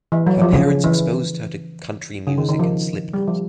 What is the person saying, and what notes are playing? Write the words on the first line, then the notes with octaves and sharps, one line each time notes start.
Her parents exposed her to country music and Slipknot.
E3
F#3
F3
C#3
E3
C#3
D#3
D#3
F3
G3
F3